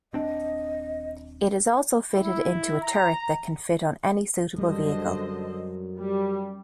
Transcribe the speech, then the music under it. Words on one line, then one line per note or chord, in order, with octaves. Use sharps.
It is also fitted into a turret that can fit on any suitable vehicle.
D#1 C4 D4 D#5
E4
A#5
F#2 D3 G3 C5 D#5
G3